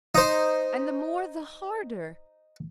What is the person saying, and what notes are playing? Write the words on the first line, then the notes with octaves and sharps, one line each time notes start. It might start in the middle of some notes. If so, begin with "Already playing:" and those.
And the more the harder!
D#4 C5